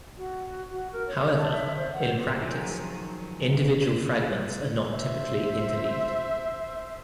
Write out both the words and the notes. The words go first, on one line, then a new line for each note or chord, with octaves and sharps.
However, in practice, individual fragments are not typically interleaved.
F#4
F#4
A#4
C#5
A5
E5
C5
F#5
D#3 F3 F#3 G#4
C5 E5